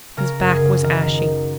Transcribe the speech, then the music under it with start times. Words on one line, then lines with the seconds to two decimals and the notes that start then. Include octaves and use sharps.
His back was ashy.
0.17 C#3 A#4
0.40 F#2
0.50 G#4
0.62 C#3
0.84 D#3 A#4
1.05 D#3